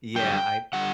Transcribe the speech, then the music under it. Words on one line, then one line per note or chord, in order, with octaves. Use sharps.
Yeah, I
F#2 D3 G3 G5
D3 G3 F#5